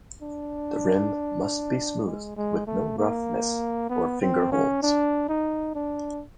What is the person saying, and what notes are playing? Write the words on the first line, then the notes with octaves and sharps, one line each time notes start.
The rim must be smooth, with no roughness or finger holds.
D4
G#3
G#3
A3
A#3
B3
C4
C#4
D4
D#4
D4